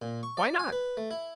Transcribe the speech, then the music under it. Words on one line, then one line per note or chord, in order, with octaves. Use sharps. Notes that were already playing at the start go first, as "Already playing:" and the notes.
"Why not?"
A#2
C#6
D5
G#5
B4
A3
E4